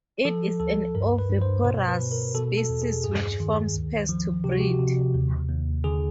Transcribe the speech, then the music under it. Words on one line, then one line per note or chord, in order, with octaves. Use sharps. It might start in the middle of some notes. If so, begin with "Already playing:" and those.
It is an oviparous species which forms pairs to breed.
F3 A4
D2 A4
G2 A#4
B4
G2
C5
B2 C5
B4
B2
A#4
B2 A4
A4
E2
G#4
G2 G#4
D#3
D2
F3
C3 G4
F#4
G4
C3
D#2
D#2
D3 G#4